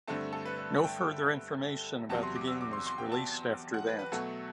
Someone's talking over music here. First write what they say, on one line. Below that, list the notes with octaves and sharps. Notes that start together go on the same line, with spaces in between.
No further information about the game was released after that.
G2 D3 A3 C4 A5
A4
B4
B4
G5
E2 C3 F#3 A5
C6
D6
E6
D6
C6
C6
G5
A5
F#5
B4
B4
B2 F#3 A3 A4